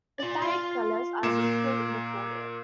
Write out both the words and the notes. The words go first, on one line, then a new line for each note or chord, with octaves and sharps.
Retired Colours are displayed in the foyer.
F4 D5
F4 F5 C6
A#2 A#3 E7